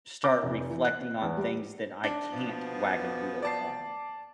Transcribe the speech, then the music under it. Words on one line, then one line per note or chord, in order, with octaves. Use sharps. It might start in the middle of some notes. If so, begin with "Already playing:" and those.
start reflecting on things that I can't wagon wheel on,
D6
F1
E3
F#6
E2
G3
D4
B2 F3 B3
D5 A5 C7